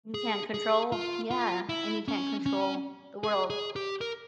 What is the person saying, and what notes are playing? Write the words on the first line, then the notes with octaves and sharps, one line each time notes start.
You can't control? Yeah, and you can't control the world.
G#4
G#4
F4
F4
E4
C#4
C#4
G#4
G#4
G4
A#4